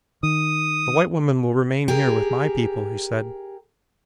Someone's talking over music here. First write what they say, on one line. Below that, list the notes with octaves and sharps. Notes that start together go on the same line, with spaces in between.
"The white woman will remain here with my people," he said.
D#3 D#6
G4 G#4 A#4